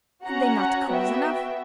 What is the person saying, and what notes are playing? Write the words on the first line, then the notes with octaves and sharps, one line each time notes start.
Have they not cause enough?
C#4 F#4 F#5 A#5
B3 F#4 E5 G5